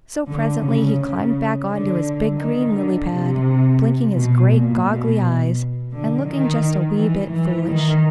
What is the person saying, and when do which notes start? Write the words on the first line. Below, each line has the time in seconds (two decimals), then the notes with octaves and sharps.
So presently he climbed back on to his big green lily-pad, blinking his great, goggly eyes and looking just a wee bit foolish.
0.27 D3
0.62 C#3
0.98 C#3
1.68 D3
2.39 D#3
2.74 D3
3.10 C3
4.14 B2
4.50 A#2
4.85 B2
5.91 D3
6.25 D#3
6.96 E3
7.32 E3
7.67 D#3